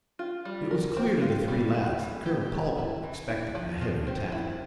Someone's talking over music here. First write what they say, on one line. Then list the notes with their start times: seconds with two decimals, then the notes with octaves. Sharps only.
It was clear to the three lads that Colonel Talbot expected a heavy attack.
0.19 F4
0.45 G3
0.71 A#4
0.97 C4
1.22 F4
1.48 G3
1.74 E4
2.00 E3
2.26 G4
2.52 A3
2.78 E4
3.03 E3
3.30 E4
3.55 F3
3.81 F3
4.07 C4
4.32 E4